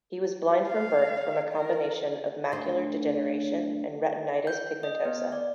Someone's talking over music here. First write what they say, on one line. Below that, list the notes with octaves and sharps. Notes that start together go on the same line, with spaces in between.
He was blind from birth from a combination of macular degeneration and retinitis pigmentosa.
F5
A#4
D2 C5
G6
D#5
B3
D5